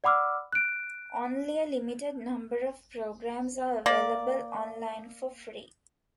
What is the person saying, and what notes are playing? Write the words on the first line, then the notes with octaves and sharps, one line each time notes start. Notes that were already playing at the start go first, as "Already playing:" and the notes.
Only a limited number of programs are available online for free.
D5 F#5 B5 D6 E6 F6
F#6 D7
A#3 D5